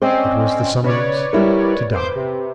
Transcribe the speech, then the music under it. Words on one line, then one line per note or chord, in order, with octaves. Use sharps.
It was the summons to die.
C4 C#4 C5 D5 D#5
C#3 B4 C#5 D5
G3 E4 A#4
B4 C5 D6 G6
C3